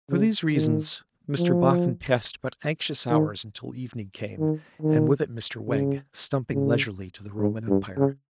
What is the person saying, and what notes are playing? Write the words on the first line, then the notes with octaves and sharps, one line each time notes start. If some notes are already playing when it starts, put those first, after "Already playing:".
For these reasons Mr Boffin passed but anxious hours until evening came, and with it Mr Wegg, stumping leisurely to the Roman Empire.
C#3
D#3
F3
D#3
D#3
D#3
C#3
C#3
G#2
G2
C#3